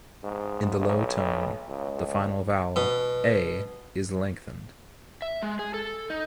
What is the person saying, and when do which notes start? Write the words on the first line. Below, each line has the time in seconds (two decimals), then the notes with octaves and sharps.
In the low tone, the final vowel "a" is lengthened.
0.23 G#2
0.80 B1
1.69 C#2
2.76 B2
5.22 E5
5.42 G#3
5.59 G#4
5.74 A4
6.10 D#4